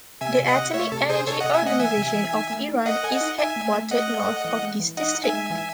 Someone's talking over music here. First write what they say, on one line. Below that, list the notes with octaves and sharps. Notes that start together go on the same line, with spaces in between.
The Atomic Energy Organization of Iran is headquartered north of this district.
C3 E5 G#5
C3
D#5 F#5
C3
A3 C#5 E5
C3 A4
C3 G#4 C5
C3 A4 C#5
C3 D#5 F#5
E5 G#5
A3 D#5 F#5
E3 E5 G#5
C3
E3
D#4
A3
D#4
A4 D#5 F#5
A4 G#5
D#5 F#5
D#4
D#4 E5 G#5
A3
A3
A3 D#5 F#5
A4
A4
E3
G#3
E3
D#4 D#5 F#5
D#4
E5 G#5
G#3
E3